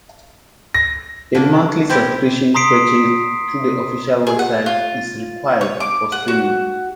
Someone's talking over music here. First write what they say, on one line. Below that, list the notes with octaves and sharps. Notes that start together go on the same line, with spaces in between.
A monthly subscription purchased through the official website is required for streaming.
A#6
D3 A#3 D4
C4 E4 G4
A#5 C6 D#6 B6 C7 D7
G#4
F#5
F4
C#5
D6
F#5
F#4